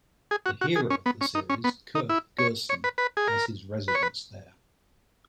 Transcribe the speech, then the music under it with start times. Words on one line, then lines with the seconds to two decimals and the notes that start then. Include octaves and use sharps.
The hero of the series, Kirth Gersen, has his residence there.
0.31 G#4
0.46 F#4
0.61 F#4
0.76 G#4
0.90 C#4
1.06 B3
1.21 C#4
1.35 D#4
1.50 C#4
1.64 B3
1.95 D#4
2.09 E4
2.39 C#5
2.69 C#5
2.84 B4
2.98 B4
3.17 G#4
3.28 A#4
3.88 B4
3.95 C#5
4.03 B4